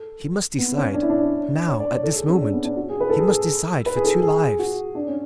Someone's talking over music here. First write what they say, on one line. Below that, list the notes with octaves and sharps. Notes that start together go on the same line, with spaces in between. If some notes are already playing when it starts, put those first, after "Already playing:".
He must decide--now, at this moment--he must decide for two lives.
Already playing: A4
B3
C#4
D4
E4
D4
C#5
D5
C#5
A4
G#4
C#4
D4
C#4
B3
D4
F#4
G#4
B4
A4
G#4
A4
B4
G#4
A4
G#4
F#4
D4
C#4